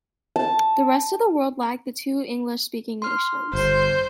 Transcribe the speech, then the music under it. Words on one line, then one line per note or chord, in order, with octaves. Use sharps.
The rest of the world lagged the two English speaking nations.
A5
C6 F6
G1 C5